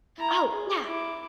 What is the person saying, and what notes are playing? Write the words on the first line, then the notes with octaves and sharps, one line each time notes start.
Oh, yeah!
E4 A#5
G#4
E4 D6